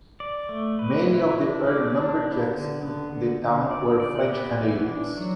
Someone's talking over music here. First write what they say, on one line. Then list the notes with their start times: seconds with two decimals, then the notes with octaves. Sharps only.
Many of the early lumberjacks in the town were French Canadians.
0.20 D5
0.49 A3
0.79 B4
1.08 E4
1.37 D4
1.67 D5
1.95 D4
2.25 B3
2.54 D3
2.83 B3
3.12 D3
3.42 D3
3.71 D5
4.00 D5
4.30 B3
4.59 E3
4.88 D4
5.17 F#3